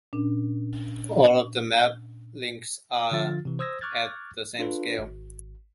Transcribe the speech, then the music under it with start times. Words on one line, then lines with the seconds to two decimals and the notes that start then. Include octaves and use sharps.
All of the map links are at the same scale.
0.13 A#2 C#4 D4
3.11 D3 F3 F4 A6
3.45 C3 E3
3.59 C5 D#6 E6 G#6 A#6
3.81 C#6 D6 F6 F#6 G#6 A6
4.59 D4 F4 A4 B4
4.99 G#1